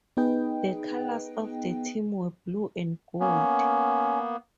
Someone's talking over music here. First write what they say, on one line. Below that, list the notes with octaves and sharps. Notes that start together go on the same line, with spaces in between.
The colors of the team were blue and gold.
B3 D#4 G#4 B4 D#5 G5
A#3 B3 C#4